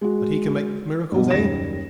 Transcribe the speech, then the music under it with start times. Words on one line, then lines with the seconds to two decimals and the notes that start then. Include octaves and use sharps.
That he can make miracles, eh?
0.01 G#3 F#4
1.12 G2 B2
1.30 F#1 D#2 G3 A#6 E7